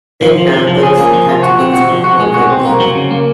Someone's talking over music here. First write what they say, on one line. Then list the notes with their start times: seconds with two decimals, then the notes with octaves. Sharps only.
then, you know, those types of things help to motivate me.
0.22 F3
0.38 F3
0.52 F3
0.67 F3
0.83 G#4
0.97 A#3
1.13 F3
1.29 F4
1.43 F#4
1.59 C4
1.74 F#4
1.89 F3
2.04 F#4
2.19 G#3
2.34 F#4
2.50 C4
2.65 A#3
2.80 F#3
2.95 C#3
3.11 A#3